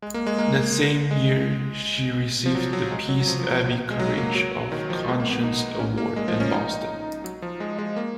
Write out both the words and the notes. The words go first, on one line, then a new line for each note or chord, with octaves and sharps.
That same year she received the Peace Abbey Courage of Conscience Award in Boston.
G#3
A#3
G#3
A#3
G#3
F3
F#3
F#3
G#3
F#3
F#3
F3
F3
F3
G#3
F#3
A#3
F#3
D#3
F3
G#3
A#3
B3
D#4
C#4
A#3
G#3
F3
C#4
D#4
F#3
F3
G#3
G#3
A#3